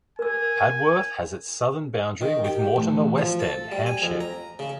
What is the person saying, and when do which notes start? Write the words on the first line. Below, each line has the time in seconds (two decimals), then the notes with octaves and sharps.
Padworth has its southern boundary with Mortimer West End, Hampshire.
0.19 A#4 G#5 E6
2.21 D#3
2.45 G4
2.76 A1
3.18 F3
3.40 A4
3.72 G3
3.86 G#5
4.02 F2
4.21 A#5
4.59 C#3